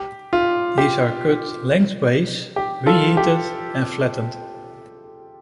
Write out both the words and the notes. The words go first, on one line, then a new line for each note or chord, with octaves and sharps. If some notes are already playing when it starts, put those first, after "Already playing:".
These are cut lengthways, reheated, and flattened.
Already playing: G4
F4
G4
G4
F4 A4
G4